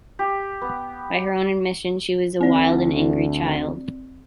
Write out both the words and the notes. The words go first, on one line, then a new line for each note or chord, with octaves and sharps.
By her own admission, she was a wild and angry child.
G4
B3
D2 C4 D5